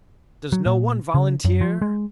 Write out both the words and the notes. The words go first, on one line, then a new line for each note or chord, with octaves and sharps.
"Does no one volunteer?"
F#3
A#2
C#3
F#2
F3
G#3